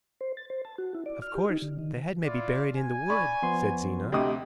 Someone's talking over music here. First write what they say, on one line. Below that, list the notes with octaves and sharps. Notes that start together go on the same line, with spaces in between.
"Of course, the head may be buried in the wood," said Zena.
C5
A6
C5
A5
F#4
E4
D5
F6
G4
D#4
D3
D#3
E4 F4 D5
G#5
D5 B5 C#6
F3 B3 C6
D2 C3 G4 D#5 G5 D#6